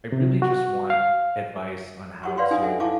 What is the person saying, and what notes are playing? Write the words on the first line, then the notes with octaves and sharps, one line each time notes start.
I really just want advice on how to
C3
F#4
F5
G4 F#5 C#6
B4 D5 F5 F#5 C6 C#6
D4 D#4 G#5 D#6
A4 E5 F#5
E4 A4 F5 A5 C#6 D6